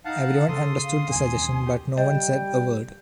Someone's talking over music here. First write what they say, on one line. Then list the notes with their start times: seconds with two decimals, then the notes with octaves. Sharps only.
Everyone understood the suggestion but no one said a word.
0.05 D#4 F5 F#5 A5
0.49 C#3 A4 C6 D#6
0.84 F5
1.10 D#2 B2 G#5
1.65 G4
1.98 G3 D#5 G5